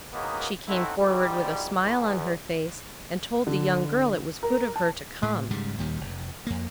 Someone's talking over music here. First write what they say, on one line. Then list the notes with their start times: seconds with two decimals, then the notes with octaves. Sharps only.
She came forward with a smile on her face, and told the young girl it was good of her to come.
0.14 D#3 F#3 G#3 A#3 B3 D#4
0.68 F#3 A3 C4 D#4 E4 F#4
0.98 D2 G#2 F3 G3
1.83 E2
3.47 D3
4.43 A#4
4.76 A5
5.23 A2
5.51 G#2 C#3 G3
5.78 D#2 A#2 D#3 G3
6.01 F1
6.47 F2 A#3